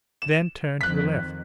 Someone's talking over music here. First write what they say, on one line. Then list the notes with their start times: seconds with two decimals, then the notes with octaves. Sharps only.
Then turn to the left.
0.22 E7
0.81 F2 D#3 F#6 B6